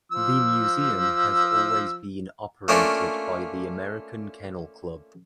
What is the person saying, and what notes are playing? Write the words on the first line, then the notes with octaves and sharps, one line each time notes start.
The museum has always been operated by the American Kennel Club.
F3 E6
A3 A#3 C#4 D4 F4